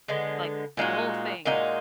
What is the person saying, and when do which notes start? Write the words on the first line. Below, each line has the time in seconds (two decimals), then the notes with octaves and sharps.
like, the whole thing,
0.08 D3 G#3 B3
0.77 A#2 G#3 D#4 F#4
1.45 A#2 G#3 D#4 F#4